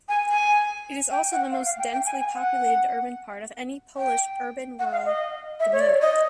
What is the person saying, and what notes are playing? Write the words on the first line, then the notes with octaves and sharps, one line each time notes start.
It is also the most densely populated urban part of any Polish urban-rural "gmina".
G#5
G#5
G5
F#5
F5
F5
G5
G5
G#5
G#5
F#5
G5
F#5
F5
D#5
E5
C#5
D5
D#5